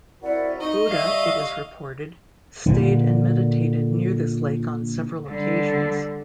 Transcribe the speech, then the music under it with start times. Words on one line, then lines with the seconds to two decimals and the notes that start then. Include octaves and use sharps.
Buddha, it is reported, stayed and meditated near this lake on several occasions.
0.22 C4 E4 F#4 A#4 D5 F#5
0.61 D#4 D#5 C#6
0.89 G3 D5 E5 F5
2.66 A#2 D3
5.28 D3 G3